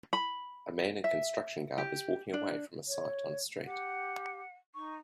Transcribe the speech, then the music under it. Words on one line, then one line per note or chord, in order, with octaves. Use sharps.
A man in construction garb is walking away from a site on a street.
B5
E5
G4
D4
C#5
G4 F#5
D#4 C#6